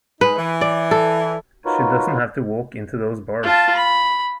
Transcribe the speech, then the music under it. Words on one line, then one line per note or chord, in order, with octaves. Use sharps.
She doesn't have to walk into those bars.
G#3 D#4 B4
E3
D5
A4
D#4 F4 F#4 A#4 B4 C#5
F4 A5
B5